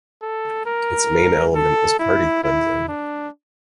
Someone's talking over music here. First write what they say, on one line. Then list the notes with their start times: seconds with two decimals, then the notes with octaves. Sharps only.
Its main element was party cleansing.
0.22 A4
0.66 A#4
1.55 A4
1.99 E4
2.44 E4
2.88 D4